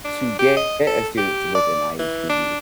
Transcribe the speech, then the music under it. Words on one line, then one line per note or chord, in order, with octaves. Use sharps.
To get a student with an IEP,
D4
G4
D#5
A4
G4
D5
E3
D4